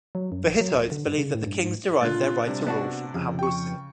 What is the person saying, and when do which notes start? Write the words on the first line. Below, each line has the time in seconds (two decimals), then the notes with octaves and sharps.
The Hittites believed that the kings derived their right to rule from Hanwasuit.
0.15 F#3
0.32 F#2
0.47 A#1
0.60 F#3
0.73 D#1
0.91 D3
1.07 G2
1.18 C#3
1.35 A2
1.46 G2
1.65 G#2
2.01 C#2 A#2 D3 F4 F#6 A6
2.47 C3 G3 D4
2.67 B3 D4 F#4 D5 A5
3.14 F2 C#3
3.39 G5 C#6